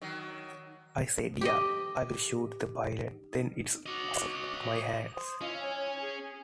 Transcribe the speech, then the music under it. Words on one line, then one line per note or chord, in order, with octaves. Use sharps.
I said, yeah, I'll shoot the pilot, then it's out of my hands.
D#3 F#3
G4 D#5
F#4 C#5 D#5 D6
C5 D#6
C#4 E4 F4 D#5
C#5 G#5
G#4